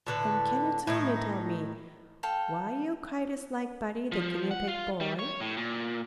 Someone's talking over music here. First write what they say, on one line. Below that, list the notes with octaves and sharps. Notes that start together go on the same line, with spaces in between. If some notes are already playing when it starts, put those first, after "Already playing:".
"And can you tell me, Tommie, why your kite is like Buddy, the guinea pig boy?"
A2 D3 B4
A2 D#3 D#4
A4 F5 G5
F3
F#5
F4
G3
C#5
A2
A#2